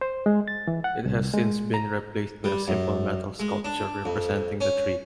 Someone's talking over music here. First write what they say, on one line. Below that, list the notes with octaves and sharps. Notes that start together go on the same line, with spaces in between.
It has since been replaced by a simple metal sculpture representing the tree.
C5
G#3
A6
E3
F#5
C2
G#3
A#5
G3
F#2
G#3
D4
F2
C#4